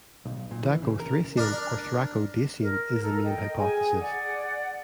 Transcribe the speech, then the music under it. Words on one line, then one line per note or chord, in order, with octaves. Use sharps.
Daco-Thracian or Thraco-Dacian is the main hypothesis.
B1
A#2
E3
C#3
A#4
D4 A#4
A#4
A4 A#5
D#5 G5
G#4 G#5
D5 F#5